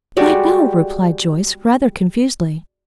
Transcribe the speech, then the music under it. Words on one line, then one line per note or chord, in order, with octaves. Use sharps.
"Why, no!" replied Joyce, rather confusedly.
G3 G#3 F#4 D5